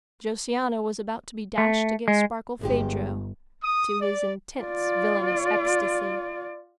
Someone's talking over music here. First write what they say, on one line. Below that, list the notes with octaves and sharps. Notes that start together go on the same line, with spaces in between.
Josiana was about to be dashed against Barkilphedro, to his intense villainous ecstasy.
A3
G#3
G1 F#2 G#3 G4
D#6
D5
F4 D5